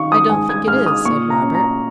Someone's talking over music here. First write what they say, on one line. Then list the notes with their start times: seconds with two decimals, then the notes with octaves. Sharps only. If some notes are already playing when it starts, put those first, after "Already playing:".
"I don't think it is," said Robert.
Already playing: D#3 F5 C#6
0.12 D#6
0.30 G#2 G#5
0.49 G#6
0.67 G#2 F6
0.86 D#6
1.05 A#2 C#6
1.30 A#5
1.42 C#4
1.55 A#5